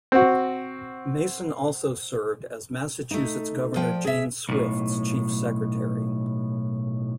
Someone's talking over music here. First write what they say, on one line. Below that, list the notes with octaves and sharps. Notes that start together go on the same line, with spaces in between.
Mason also served as Massachusetts Governor Jane Swift's chief secretary.
C4 F#4
A3 D#4
F3 D5 G5
G#4 E5
B1 A2